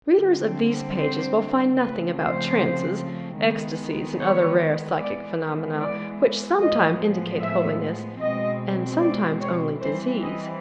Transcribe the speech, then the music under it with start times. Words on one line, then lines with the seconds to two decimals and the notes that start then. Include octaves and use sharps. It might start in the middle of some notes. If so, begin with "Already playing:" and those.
Readers of these pages will find nothing about trances, Ecstasies and other rare psychic phenomena; which sometimes indicate holiness, and sometimes only disease.
0.17 D3 G3 C4
0.98 C5
1.78 C#3 F3 A3 C4 B4
2.18 C5
3.39 D#3 G#3 B3
4.19 C#5
5.00 E3 G#3 B3 D5
5.80 D5
6.60 A2 F3 G#3 B3 D#5
7.40 E5
8.21 B2 G#3 C4 D#5
9.00 D5
9.41 C#5
9.80 E3 G3 C4 C5
10.21 D#5